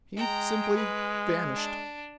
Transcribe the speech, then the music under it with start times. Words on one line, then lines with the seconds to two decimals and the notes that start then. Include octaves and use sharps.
He simply--vanished.
0.17 G#3 G5 A#5
0.76 B4
1.54 D4